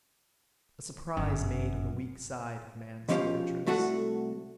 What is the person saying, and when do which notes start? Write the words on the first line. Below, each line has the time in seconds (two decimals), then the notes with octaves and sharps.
A surprise made on the weak side of man's fortress.
1.17 G1 F#2
3.09 B2 F3 C#4 G4 F5
3.66 C2 A3 F#4 A4 F#5